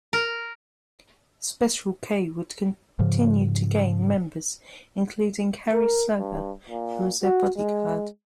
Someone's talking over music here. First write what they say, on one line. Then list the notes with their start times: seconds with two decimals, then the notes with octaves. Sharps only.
Special K would continue to gain members, including Harry Slugger, who was their bodyguard.
0.13 A#4
2.99 G#2 C#3 F3
5.73 A#4
6.18 G2
6.69 A#2
7.23 F#4
7.57 G#3